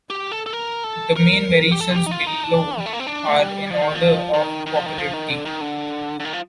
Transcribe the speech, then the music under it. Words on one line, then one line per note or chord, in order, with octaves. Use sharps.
The main variations below are in order of popularity.
G4
A4
A4
A#4
A4
A#4
G4
A4
F4
G4
D#4
F4
D#4
D4
G3
A3
A#3
C4
D4
A3
G3
F3
D#3
F3
D#3
D#3
F3
D#3
F3
D#3
D3
D#3
D3
D3
D#3
F3